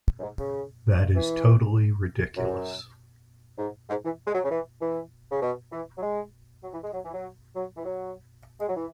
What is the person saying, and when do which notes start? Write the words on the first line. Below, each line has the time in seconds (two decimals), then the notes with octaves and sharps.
That is totally ridiculous.
0.19 F#2
0.23 G#2
0.39 C#3
1.15 E3
2.37 F#2
3.58 G#2
3.89 G#2
4.05 E3
4.27 G#3
4.34 F#3
4.44 C#3
4.51 E3
4.81 E3
5.31 C#3
5.42 B2
5.72 E3
5.97 F#3
6.02 G#3
6.64 F#3
6.74 E3
6.84 G#3
6.94 F#3
7.05 E3
7.14 F#3
7.55 F#3
7.77 E3
7.85 F#3
8.60 G#3
8.68 F#3
8.77 E3